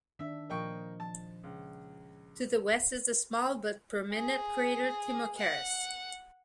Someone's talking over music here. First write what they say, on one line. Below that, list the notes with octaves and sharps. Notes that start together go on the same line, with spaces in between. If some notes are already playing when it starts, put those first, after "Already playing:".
To the west is the small but prominent crater Timocharis.
D#3 D4 E5
A#2 F3 A#3 D#5 G5 C#6
F3 A5
C#2
G#4
F#5